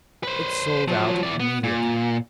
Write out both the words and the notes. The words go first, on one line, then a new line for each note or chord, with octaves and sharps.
It sold out immediately.
B4 C5
F3 F#3
E3 D5
B3
A#2